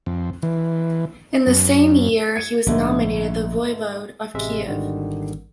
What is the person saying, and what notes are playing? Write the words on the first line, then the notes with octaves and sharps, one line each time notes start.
In the same year he was nominated the voivode of Kiev.
F2
E3
F#2
G#6 C#7
A#1 G#2 D3 A3
A1 C3 G#3 E5
G#1 D3 D#3 G3